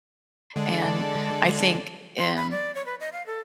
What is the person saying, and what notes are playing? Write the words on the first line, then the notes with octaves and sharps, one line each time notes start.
and I think, um,
D3 G#3 A4 D5
C6
B5
D5
C#5
B4
D#5
F5
A4